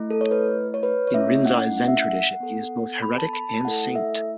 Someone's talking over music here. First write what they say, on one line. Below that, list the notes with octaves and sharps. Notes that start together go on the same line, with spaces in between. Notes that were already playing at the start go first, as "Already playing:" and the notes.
In Rinzai Zen tradition, he is both heretic and saint.
Already playing: A3 E4
A4
C#5
B4
C#5
B4
C#5
A3 C#4 E4 E5
F#5
F#5
E5
F#5
B3 A4
B5
A5
B5
A5
A3 E4 A4 F#5
E5